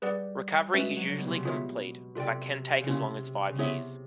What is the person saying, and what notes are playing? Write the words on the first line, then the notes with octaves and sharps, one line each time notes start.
Recovery is usually complete, but can take as long as five years.
G3 G#4 B4 D5 F#5
G#3 C#4 F#4 B4 E5
F#3
C#3
B2
C3
C#3
B2 F4 G#4 C#5 E5
C3 F4 A4 D5 G5
C#3
C3 A#3 C#4 E4
C#3
C3 B3 E4 G#4 C#5 E5